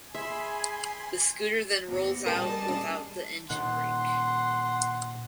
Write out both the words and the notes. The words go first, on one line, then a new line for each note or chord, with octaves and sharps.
The scooter then rolls out without the engine brake.
G#4 E5 G#5 B5 C6
E2 C3
G3 G#4 A#4 D#5 G5 A5
D4
A#2 D#3 F#5 C6